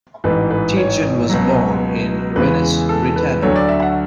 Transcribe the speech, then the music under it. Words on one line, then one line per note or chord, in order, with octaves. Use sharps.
Teitgen was born in Rennes, Brittany.
A1 G#2 E3 B4
B4
C#5
C#2 B2 F#3
E2 C#3 E3 G#3 B4
A4
B4
D2 D3 F#3 A3 C#5
D5
E5
F#5